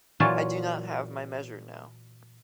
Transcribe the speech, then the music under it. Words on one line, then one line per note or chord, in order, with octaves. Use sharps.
I do not have my measure now.
A#2 E3 F#3 F4 C#5 A5